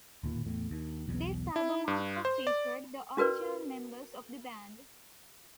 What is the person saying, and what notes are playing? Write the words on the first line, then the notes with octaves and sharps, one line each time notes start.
This album also featured the original members of the band.
D1 D#2 A#2
E2 A2
D#2
B1 E2
E4
G2
C5
D5
C#4 F#4 A#4 B4 D5